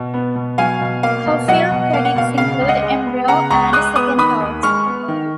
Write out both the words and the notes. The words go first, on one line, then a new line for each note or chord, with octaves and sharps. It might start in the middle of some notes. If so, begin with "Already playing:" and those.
Her film credits include "Embryo" and "Second Thoughts".
Already playing: B2
B3
B2
F#3 F5 G#5
B2
A#3 F5
B2
F#3 D#5 F#5
B2
A#3 F5
F#5
B2 F5
C#3 F5
C#2
D#5 F#5
G#3
B3
C#3 F#5 A#5
C#2 A#5 C#6
G#3 D#6 F#6
B3 D#6 F#6
D#3 B5 D#6
D#2
G#3 C#6 F6
B3
D#3